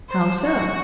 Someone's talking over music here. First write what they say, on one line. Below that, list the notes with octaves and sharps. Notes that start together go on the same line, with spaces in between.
"How so?"
C5
F#4